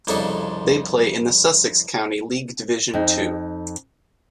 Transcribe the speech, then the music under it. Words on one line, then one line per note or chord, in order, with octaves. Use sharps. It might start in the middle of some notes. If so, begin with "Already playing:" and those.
They play in the Sussex County League Division Two.
C2 F2 C#3 D4 A4 D#5
F2 D#4